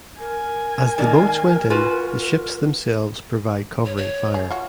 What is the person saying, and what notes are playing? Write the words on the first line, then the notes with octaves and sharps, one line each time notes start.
As the boats went in the ships themselves provide covering fire.
A#4 G#5
D#3 A#3 D4
F4 F#4 B4
C#5
C#5
G#4
F4 F#4